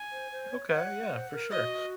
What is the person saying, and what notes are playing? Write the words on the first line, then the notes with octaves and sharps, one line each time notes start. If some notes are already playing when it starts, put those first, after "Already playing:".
Okay, yeah, for sure.
Already playing: G#5
C5
C5
C#5
C#5 F#5
C5
A#4
F#4 D#5